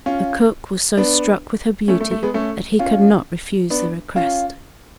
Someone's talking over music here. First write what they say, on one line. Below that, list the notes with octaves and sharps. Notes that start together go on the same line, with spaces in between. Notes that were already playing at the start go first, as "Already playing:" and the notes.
The cook was so struck with her beauty that he could not refuse the request.
C#4 F4
B3 D4
A3 C#4
A3
A3
G#3 B3
A3 C#4
C#4 F4
B3 D4
C#4 F4